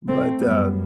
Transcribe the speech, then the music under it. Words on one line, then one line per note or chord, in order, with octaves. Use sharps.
but, uh,
A3 C4
F#2 G3 B3